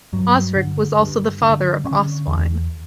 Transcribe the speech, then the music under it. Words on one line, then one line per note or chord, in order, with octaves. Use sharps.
Osric was also the father of Oswine.
G2 F#3
D3
G2
D3
D3 C#4
E2